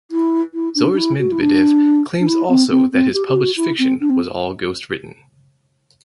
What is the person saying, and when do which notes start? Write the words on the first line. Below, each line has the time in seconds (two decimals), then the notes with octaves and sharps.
Zhores Medvedev claims also that his published fiction was all ghost written.
0.11 E4
0.53 E4
0.75 D4
0.93 D4
0.97 E4
1.18 F#4
1.31 E4
1.40 D4
2.20 D4
2.26 E4
2.49 C4
2.70 C4
2.92 C4
3.13 G4
3.27 G4
3.35 F#4
3.56 E4
3.78 C4
4.00 D4
4.09 C4